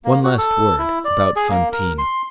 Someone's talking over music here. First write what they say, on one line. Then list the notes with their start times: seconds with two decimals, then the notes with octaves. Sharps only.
One last word about Fantine.
0.05 A#3
0.24 F#4
0.38 A4
0.79 E4
1.05 D5
1.36 G#4
1.50 A#3
1.72 A#4
1.98 C6